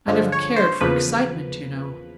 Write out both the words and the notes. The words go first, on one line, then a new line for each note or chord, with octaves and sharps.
I never cared for excitement, you know.
G2 D3 F3 G#3
C#5
C5
E2 C#3 F3 A#3 B4